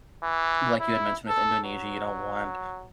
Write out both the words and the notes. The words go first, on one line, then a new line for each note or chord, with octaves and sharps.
like you had mentioned with Indonesia, you don't want
E3
E4
A4
F#3